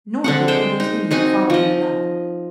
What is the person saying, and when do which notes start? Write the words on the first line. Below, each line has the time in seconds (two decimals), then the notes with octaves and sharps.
Nor did he lose any in following it up.
0.24 D3 C4 F#5
0.48 G#3 C5 G5
0.80 D#4
1.11 C4 D#4 F#4 G#5
1.50 F3 D#5